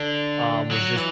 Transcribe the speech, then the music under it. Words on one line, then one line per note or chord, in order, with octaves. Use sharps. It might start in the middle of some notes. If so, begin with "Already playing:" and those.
um, was just
Already playing: D3
F#3
E3